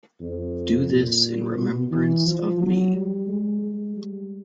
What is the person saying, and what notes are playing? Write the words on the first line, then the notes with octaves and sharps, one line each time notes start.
Do this in remembrance of me.
F2
A#2
B2
E3
F3
F#3
G3
G#3
G#3
G3